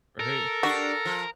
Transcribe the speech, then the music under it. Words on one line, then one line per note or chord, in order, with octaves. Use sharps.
Or hey
A4 A#4
D4 F#4 G4
F3